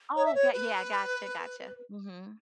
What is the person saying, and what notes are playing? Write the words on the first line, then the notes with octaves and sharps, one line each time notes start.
Oh, 'kay, yeah, I gotcha, gotcha. Mhm.
C#5
E5
C#5
B4